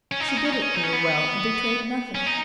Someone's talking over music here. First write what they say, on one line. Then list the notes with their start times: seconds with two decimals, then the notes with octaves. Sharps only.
She did it very well, and betrayed nothing.
0.12 C#4
0.20 D#4
0.28 C#4
0.37 D#4
0.45 C#4
0.53 D#4
0.62 C#4
0.75 D#4
0.84 C#4
0.93 B3
2.15 C#4
2.26 D#4